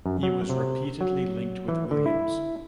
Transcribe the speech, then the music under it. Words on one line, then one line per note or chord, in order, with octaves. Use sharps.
He was repeatedly linked with Williams.
F#2
F#3
C3
F#3
E3
D3
E4